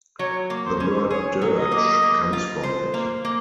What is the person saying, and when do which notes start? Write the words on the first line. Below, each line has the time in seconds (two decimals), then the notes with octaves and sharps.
The word dirge comes from it.
0.19 F#3 C#5
0.50 A#3
0.66 C5
0.80 C#4
1.10 G#4 C#5
1.42 F#3
1.57 D#5
1.72 A#3
2.02 A#3
2.33 F4
2.63 C5
2.94 A#3
3.25 A#3